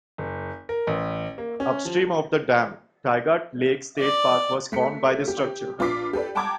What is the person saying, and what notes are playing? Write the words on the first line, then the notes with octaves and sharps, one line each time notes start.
Upstream of the dam, Tygart Lake State Park was formed by this structure.
F#1
A#4
A1
A#3
C#4
F3
D5
A3 B6 C#7
G4
A#1 F4 B4 D6 B6 C7
G4 A4 B4 D5
F#5 G5 A5 A#5 D6 G#6